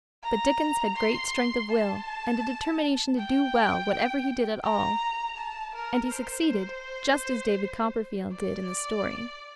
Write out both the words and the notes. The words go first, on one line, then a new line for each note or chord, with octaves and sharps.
But Dickens had great strength of will and a determination to do well whatever he did at all, and he succeeded, just as David Copperfield did in the story.
A#5
C6
A5
G5
A#5
A5
A#4
C5
D5